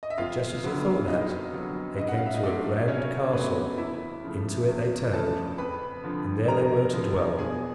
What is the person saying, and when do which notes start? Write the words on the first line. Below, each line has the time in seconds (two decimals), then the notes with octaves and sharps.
But just as he thought that, they came to a grand castle; into it they turned, and there they were to dwell.
0.03 D#5
0.10 E5
0.18 F2 F4 F5
0.63 D3 F#3 B3
1.08 F2 D#4 D#5
1.53 D3 F#3 B3
1.98 C#3 D#4 D#5
2.09 F#5
2.17 F5
2.26 E5
2.35 D#5
2.43 F#3 A3 C4 D4 D5
2.88 C#3 C#4 C#5
3.33 F#3 A3 B3 C4 B4
3.78 E2 E4 E5
4.23 C#3 F3 A3
4.68 E2
5.13 C#3 F3 A3 A4 A5
5.58 F2 B4 B5
6.03 D3 F3
6.48 F2 A#4 A#5
6.93 D3 F3
7.38 B2 G#4 G#5